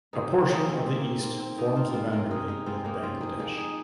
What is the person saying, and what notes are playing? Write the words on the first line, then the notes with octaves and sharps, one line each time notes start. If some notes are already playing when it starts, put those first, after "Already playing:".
A portion of the east forms the boundary with Bangladesh.
C3 D#4 G#4
C4 F4
D#3 A#3 D#4 G#4
C4 F4
C3 C4
A#3
C4
D#3 A#3 C4
C4
C3 A#3 D#4
C4 F4
G#3 C4 F4
F4 A#4
C3 D#4 G#4
D#4 G#4
G#3 C4 F4
A#3 D#4
C3 C4 F4
D#4 G#4
F3 A#3 D#4 G#4
D#4 G#4